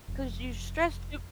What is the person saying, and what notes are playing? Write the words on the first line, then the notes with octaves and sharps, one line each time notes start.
'Cause you stress too
F1